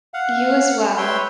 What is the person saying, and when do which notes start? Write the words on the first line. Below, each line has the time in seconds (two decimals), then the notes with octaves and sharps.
You as well.
0.14 F5 F#5
0.98 B4 C#5 E5 G5 C6